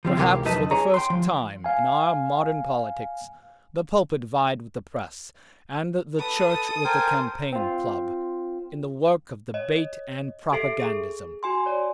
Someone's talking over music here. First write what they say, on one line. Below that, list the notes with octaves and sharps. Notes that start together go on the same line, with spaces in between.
Perhaps for the first time in our modern politics, the pulpit vied with the press, and the Church with the campaign club, in the work of debate and propagandism.
F3 G3 C4
C#2 C3 E3 G4 A#4 F5
F2 F#3 D#4 B4 D#5 A5
G#4 C#5 G#5 A#5
G5 C6
F3
F5 G#5
A4 B4 D#6
A#4 C5 G5 G#5
C4 F4
C#5 D#5
G4 A4 E5 C7 D7
G#4
F#4 G#5 C6
C#5 D5